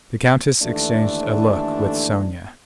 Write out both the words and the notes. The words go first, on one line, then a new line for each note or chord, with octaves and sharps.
The countess exchanged a look with Sonya.
D#2 D3 E3 A3 D4